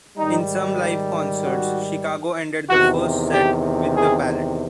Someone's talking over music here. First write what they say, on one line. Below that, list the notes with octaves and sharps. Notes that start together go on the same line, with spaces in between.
In some live concerts Chicago ended the first set with the Ballet.
G#2 D#3 G3 D#4
F#4
E2 C3 D#3 F#4
G4
G#4